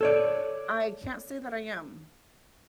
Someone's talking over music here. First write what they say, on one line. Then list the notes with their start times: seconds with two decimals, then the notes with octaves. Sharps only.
I can't say that I am.
0.01 A4 C#5 D5